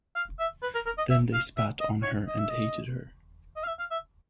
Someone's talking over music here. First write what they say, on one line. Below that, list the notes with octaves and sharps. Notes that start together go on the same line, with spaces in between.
Then they spat on her and hated her.
F5
E5
B4
A#4
A#4
D#5
E5
F5
E5
D#5
C#5
D#5
E5
D#5
D#5
F5
E5
F5
E5